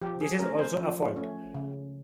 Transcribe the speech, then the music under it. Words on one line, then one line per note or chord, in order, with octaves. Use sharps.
This is also a "fault".
F3 G4
G#4
A3 C#4 A#4
C5
F3
A3 C#4
C#3